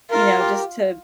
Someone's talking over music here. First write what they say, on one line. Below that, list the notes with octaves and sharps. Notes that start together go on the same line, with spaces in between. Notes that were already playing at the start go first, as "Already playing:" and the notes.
You know, just to
F4 A#4
G4